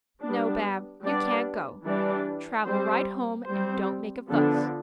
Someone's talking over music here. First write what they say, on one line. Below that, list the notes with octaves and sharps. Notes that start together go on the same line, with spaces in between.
No, Bab, you can't go. Travel right home and don't make a fuss.
G3 B3 D4
G3 B3 D4 D5
E3 G3 D4 D5
G3 C4 C5
G3 C4 C5
D3 F3 B3 D4 A4